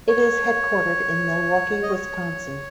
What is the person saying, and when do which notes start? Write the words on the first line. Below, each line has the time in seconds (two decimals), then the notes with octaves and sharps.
It is headquartered in Milwaukee, Wisconsin.
0.08 C#5
1.83 D#5
1.93 C#5